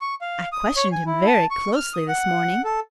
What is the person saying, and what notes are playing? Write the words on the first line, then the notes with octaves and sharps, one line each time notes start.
I questioned him very closely this morning.
C#6
F5
D#6
C#5
G#5
E4
A5
C#6
F6
D#6
F#5
A4